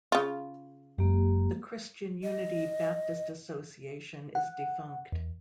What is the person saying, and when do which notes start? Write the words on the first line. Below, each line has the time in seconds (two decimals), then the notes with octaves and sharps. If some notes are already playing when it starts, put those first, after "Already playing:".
The Christian Unity Baptist Association is defunct.
0.12 C#3 F4
0.98 F#1 F#2 G#3 A#3 G4
2.24 D#5
4.35 F#5
5.12 E2